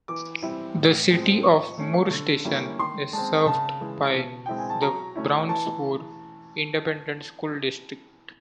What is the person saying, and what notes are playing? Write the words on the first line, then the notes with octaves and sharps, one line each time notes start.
The City of Moore Station is served by the Brownsboro Independent School District.
E3 D6
G3 C4 E4
A2
F3 G#3 C4
F3 C#6
A3 C#4
D3
G3 A#3 C#4 E4
D#3 C6
G#3 C4 A5
C#3 A5
E3 G#3
B2
G#3 C4 E4 G5
G#5
A5
F#3 A#5
A3 C#4 E4
E3 A5